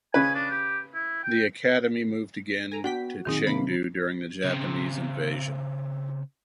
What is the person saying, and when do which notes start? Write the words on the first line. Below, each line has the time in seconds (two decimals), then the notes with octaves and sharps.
The academy moved again to Chengdu during the Japanese invasion.
0.14 C#3 B4 G#5
0.35 D4
0.50 G4
0.94 E4
1.24 G5
2.72 A4 G#5 A#5
2.84 B3 D4 F#4 F#5 G5 B6
3.25 B1 F#2 A#2 D#3 C4 D#4 G#4
3.47 C3 A#3 B5
4.44 C#3 C4